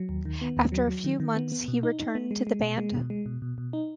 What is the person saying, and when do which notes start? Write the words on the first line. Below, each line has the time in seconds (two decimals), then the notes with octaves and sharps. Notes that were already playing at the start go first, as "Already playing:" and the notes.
After a few months he returned to the band.
Already playing: F#3
0.09 D#2
0.26 D#3
0.42 B3
0.57 D#2
0.72 F#3
0.88 F#3
1.04 D#3
1.20 D#3
1.36 B3
1.52 B3
1.68 B2
1.83 D#4
2.00 D#4
2.15 B3
2.31 G#3
2.47 G#3
2.62 B2
2.78 G#3
2.94 B2
3.10 G#3
3.26 B2
3.42 B2
3.58 B2
3.73 D#4